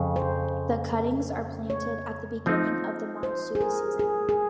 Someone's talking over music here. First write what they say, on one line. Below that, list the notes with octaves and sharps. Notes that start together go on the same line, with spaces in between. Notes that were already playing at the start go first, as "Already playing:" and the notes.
The cuttings are planted at the beginning of the monsoon season.
Already playing: F2 C#3
C5
C#5
F3 C4 D#4
C5
G#4
A#4
G#4
G#4